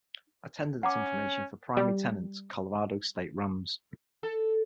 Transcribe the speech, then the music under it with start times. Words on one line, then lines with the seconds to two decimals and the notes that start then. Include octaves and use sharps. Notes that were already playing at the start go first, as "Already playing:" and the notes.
Attendance information for primary tenant, Colorado State Rams.
0.83 C#4 F#5 A#5 D6
1.77 G3
4.23 A4